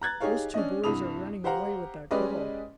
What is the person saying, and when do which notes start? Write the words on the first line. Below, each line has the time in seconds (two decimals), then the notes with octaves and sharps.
"Those two boys are running away with that girl!"
0.01 A#5 F#6 G#6 A6
0.20 D#4 G4 G#4 C#5 F5
0.54 C#4 D4 D#5
0.84 C2 G2 E4 B5 D#6 F7
1.44 G4 C5 F5 F#5 A#5
2.11 G#3 C#4 G4 B4 D5 D#5